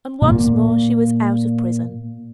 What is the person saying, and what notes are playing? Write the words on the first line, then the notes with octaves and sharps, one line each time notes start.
And once more she was out of prison.
A#2 A#3